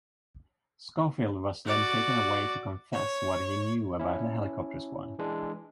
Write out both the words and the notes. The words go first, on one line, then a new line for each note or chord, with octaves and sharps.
Scofield was then taken away to confess what he knew about the helicopter squad.
F#4 D5
C#5
C#4 E4
E3 G#3 D4